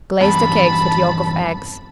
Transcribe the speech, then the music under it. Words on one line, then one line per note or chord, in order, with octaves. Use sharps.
Glaze the cakes with yolk of eggs.
E2 G2 A5 B5